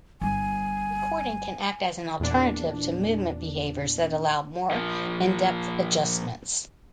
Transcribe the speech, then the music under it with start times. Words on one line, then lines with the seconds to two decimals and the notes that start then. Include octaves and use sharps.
Recording can act as an alternative to movement behaviors that allow more in-depth adjustments.
0.21 G1 G3 G#5
2.20 E2 A#2 D4
4.71 A#2 F3